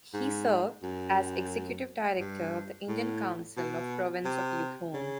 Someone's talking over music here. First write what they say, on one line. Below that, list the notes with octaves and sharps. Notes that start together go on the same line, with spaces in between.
He served as Executive Director of the Indian Council of the Province of Yukon.
G#2
F#2
G2
A2
B2
C3
C#3